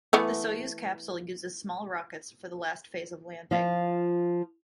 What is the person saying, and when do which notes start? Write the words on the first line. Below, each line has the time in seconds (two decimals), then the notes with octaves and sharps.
The Soyuz capsule uses small rockets for the last phase of landing.
0.13 E3 A3 B3
3.51 F3 F4